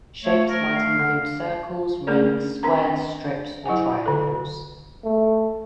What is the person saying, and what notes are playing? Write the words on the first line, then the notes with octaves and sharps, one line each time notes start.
Shapes might include circles, rings, squares, strips or triangles.
A3 C#5
A3 A#4
F5
D3
A3 A#3 C#4 G#4 A#4 D5
C4 D4 A#4 A#5
F#3 E4 C5 F#5 G#5
D3 A4
A3